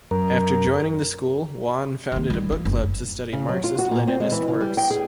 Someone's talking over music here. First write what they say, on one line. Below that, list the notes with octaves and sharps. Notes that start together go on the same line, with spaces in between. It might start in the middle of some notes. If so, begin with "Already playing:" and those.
After joining the school Wan founded a book club to study Marxist-Leninist works.
F#2 A#4
D#3 A#3
D#3 G3
E3 F4
F#1
C#3
F#3
F4
F#4
A#2
C4
G#3
E3
C#3
G3
G5
G#4